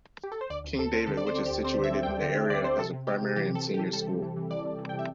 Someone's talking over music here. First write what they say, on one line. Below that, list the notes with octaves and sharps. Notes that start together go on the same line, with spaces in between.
King David which is situated in the area has a primary and senior school.
G4
A4
C5
D2 D5
D2
D2 A4
C4
D3 A4
D5
C4
C5
C4
G4
D2
C4 C5
D3 E5
C4
G5
D2
D3
D3
D3 D5
C4 C5
C3 A4
C3
C3 G4
C3
E3 G4
C3 A4
C3
G4
E3
G3 A4
C3
E3
E3
E3 D5
C3
E3
G5
C3
E5